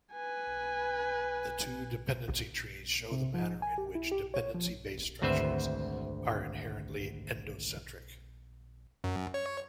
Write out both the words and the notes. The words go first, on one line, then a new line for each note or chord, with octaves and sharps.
The two dependency trees show the manner in which dependency-based structures are inherently endocentric.
B4 G#5
C3
F3
G#5
G4
E4
G4
C#5
F3
G#1 D2 C4 B4 C5 E5
F#2
C#5